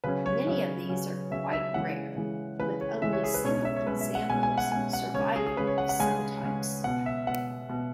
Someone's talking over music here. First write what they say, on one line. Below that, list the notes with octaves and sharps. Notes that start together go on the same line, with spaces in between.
Many of these are quite rare, with only single examples surviving of some types.
C#3 F#3 C#4 B4
C#5
C#3 F#3 C#4
C#3 F#3 C#4
C#3 F#3 C#4 E5
E5
C#3 E3 G#3 F#5
C#3 E3 G#3
C#3 E3 G#3 B4
C#5
C#3 E3 G#3 E5
C#5
G#4
B4
B2 G#3 C#4 C#5
C#5
E5
C#5
B2 G#3 C#4 B4
E5
F#5
B2 G#3 C#4 G#5
G#5
F#5
B2 G#3 C#4 G#5
F#5
C#3 G#3 C#4 C#5
G#4
G#4
C#3 G#3 C#4 B4
C#5
F#5
F#5
C#3 G#3 C#4 G#5
C#3 G#3 C#4
B2 B3 F#5
E5
B2 B3 F#5
B2 B3